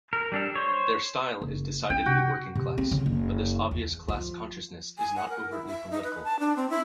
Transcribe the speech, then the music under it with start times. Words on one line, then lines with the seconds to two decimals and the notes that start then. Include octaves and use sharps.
Their style is decidedly working-class, but this obvious class-consciousness is not overtly political.
0.13 A#4
0.32 G3 D4 A4
0.55 C5 C#5
1.41 F#1
1.90 C#4 G5
2.06 C3 F#4
2.55 C3
2.78 C4
2.91 C#3
3.06 F#1
3.71 E2
4.08 F3
4.98 G#5
5.16 F#5
5.29 A#4
5.51 E4
5.67 E5
5.91 D#4
6.04 B4
6.24 A5
6.39 D4
6.56 C4
6.70 E4